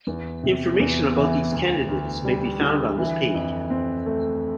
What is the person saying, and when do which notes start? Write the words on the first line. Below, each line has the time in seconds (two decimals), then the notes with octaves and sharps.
Information about these candidates may be found on this page.
0.07 E2
0.43 C3
0.80 E2
1.16 E3
1.52 D2
1.88 D2
2.25 G3
2.61 D3
2.98 E3
3.34 F2
3.70 C4
4.06 A3